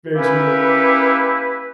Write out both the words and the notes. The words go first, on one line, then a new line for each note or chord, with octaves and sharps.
Very true.
A#3 C#4 E4 G4 B4